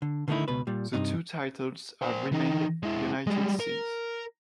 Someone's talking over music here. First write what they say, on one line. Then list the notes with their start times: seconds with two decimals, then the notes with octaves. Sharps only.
The two titles have remained united since.
0.02 D3
0.28 D3 D#3 A3 B3 D#4 E4
0.48 C#2 B2 B4
0.67 A#2 G3
0.93 G2 C3 D#4
2.02 A#3 C5
2.32 E3 D#4
2.83 G#3 E4
3.27 G3 G#3
3.60 A#4